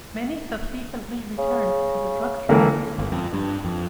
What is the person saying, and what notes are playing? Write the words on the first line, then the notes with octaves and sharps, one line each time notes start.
Many subsequently returned to the drug trade.
C#3
C#2 D3 E3 A#3 A4
G1
F2
G2
F2